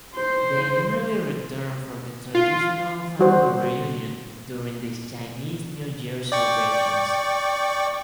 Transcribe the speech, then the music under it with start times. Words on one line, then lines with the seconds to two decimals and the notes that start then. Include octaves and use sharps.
They normally return for the traditional family reunion during the Chinese New Year celebrations.
0.16 C5
2.35 F4
3.19 G3 F#4 C5
6.32 D5 G5 C#6